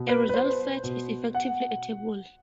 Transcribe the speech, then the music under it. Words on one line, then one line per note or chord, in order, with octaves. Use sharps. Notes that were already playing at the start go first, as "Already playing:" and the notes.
A result set is effectively a table.
Already playing: B2
B4
B4
C5
B2
F#5